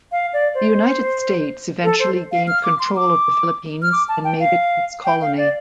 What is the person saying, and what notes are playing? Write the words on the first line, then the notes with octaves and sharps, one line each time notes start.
The United States eventually gained control of the Philippines and made it its colony.
F5
D5
C5
A4
C5
F5
F6
D6
C6
D6
F6
D6
A5
G5
F5
G5
F5
D5